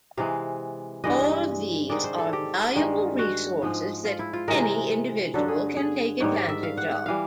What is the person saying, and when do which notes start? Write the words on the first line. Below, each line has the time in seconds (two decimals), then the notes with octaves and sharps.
All of these are valuable resources that any individual can take advantage of.
0.17 C3 E3 G#3 F5
1.04 G2 E3 G#3 D#5
1.90 G#2 D#3 G#3 D5
2.04 C5
2.18 A4
2.33 G4
2.75 G2 D#3 G#3
3.19 F#4
3.62 G#2 F3 G#3
4.05 F4
4.19 E4
4.33 F4
4.48 C3 E3 G#3 A#4
5.34 G2 D3 F#3 A4
5.48 G#4
5.77 G#4
6.20 G#2 D#3 G3 C#5
6.34 D5
6.49 E5
6.63 F5
6.77 F#5
6.91 F#5
7.06 E3 G3 F5